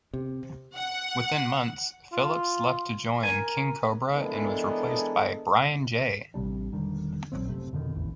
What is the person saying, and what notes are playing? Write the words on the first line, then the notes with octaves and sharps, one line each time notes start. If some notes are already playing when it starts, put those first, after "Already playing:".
Within months, Phillips left to join King Kobra and was replaced by Brian Jay.
C3
F#5
F4
A#4 G#5
E3 G#3 B3 D4 A4 A#4
A1 C3 G3 D4
E1 D3 D#3 G3
D1 A#1 F#3 C4
F#1 C3 A3 C4
F2 B2 D3 D#3
E1 A1 D#2 E3